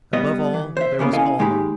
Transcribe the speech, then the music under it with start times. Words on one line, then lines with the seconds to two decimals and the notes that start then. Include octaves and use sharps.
Above all, there was Almah.
0.13 G3 B3 D#5
0.54 E3
0.77 C5 E5
0.99 E2 C#3 A#3 B3
1.13 C#4 E4 A4 D#5 F5 G#5
1.39 D#2 G#3 D#4 G4 B5